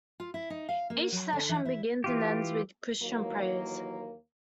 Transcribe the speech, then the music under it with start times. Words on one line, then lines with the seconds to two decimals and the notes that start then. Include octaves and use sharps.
Each session begins and ends with Christian prayers.
0.20 F4
0.34 E4
0.50 D#4
0.69 F5
0.90 A#3
1.12 F#3
1.33 D3
1.49 E3
1.65 E4
2.04 E3 F4 G4
3.01 D#2 E3 F#3 A#3